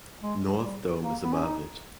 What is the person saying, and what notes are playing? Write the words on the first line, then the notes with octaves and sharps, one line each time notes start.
North Dome is above it.
G#3
G3
A#3
B3
C#4
D#4